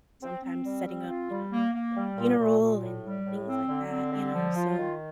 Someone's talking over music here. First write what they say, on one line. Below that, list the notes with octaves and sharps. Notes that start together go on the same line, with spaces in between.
sometimes setting up, you know, the funeral and and things like that, you know, so
C4
C4
G3
C4
F4
G3
A#3
A#3
G3
A#2
A#2
A#2
A2
G3
A2
C4
D3
C4
D3
F3
F4
D#3